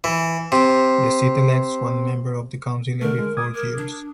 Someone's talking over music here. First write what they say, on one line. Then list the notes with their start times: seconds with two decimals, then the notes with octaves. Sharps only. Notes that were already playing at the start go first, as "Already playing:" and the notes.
The seat elects one member of the council every four years.
0.04 E3
0.52 C3
3.02 D3 A3 A#4
3.19 G#3
3.37 D6 D#6 G#6
3.55 A#4
3.77 D4